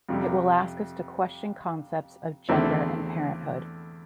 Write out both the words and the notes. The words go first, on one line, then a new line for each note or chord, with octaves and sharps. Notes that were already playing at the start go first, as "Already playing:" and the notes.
It will ask us to question concepts of gender and parenthood.
F2 C3 G3
E2 D3 A3 C4 E4